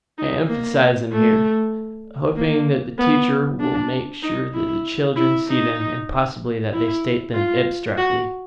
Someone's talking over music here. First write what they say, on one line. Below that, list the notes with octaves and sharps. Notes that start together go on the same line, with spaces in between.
I emphasize them here, hoping that the teacher will make sure that the children see them, and possibly that they state them abstractly.
D#4
A#3
A3
A#3
B3
D4
D#4
E4
E4
D#4
E4
F4
F#4